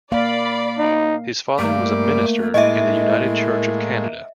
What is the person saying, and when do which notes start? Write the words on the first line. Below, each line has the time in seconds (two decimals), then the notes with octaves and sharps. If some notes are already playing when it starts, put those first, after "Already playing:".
His father was a minister in the United Church of Canada.
0.12 A#3 D5 F5 B5
0.78 D#4
1.59 G2 A3 A#3 D5
2.54 A2 G#3 E4 D#5 E5